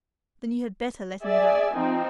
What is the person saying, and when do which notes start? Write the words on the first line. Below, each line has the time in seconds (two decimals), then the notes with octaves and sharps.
"Then you had better let him go."
1.23 G#4 D5 E5 G#5
1.74 F3 C4 D#4